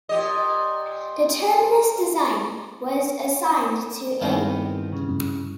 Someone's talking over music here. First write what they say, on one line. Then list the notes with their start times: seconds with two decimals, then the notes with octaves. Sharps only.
The terminus design was assigned to A.
0.09 A#2 G4 D#5
4.21 G2 D#3 G3 B3 C4 E4
4.93 C#3